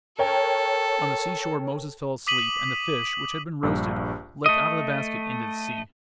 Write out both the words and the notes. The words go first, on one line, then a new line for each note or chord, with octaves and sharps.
On the seashore Moses fell asleep, and the fish, which had been roasted, leapt out of the basket into the sea.
A4 A#4 C#5 G5
D6 D#6 B6 D#7 F#7
A#1 G2
A3 D#5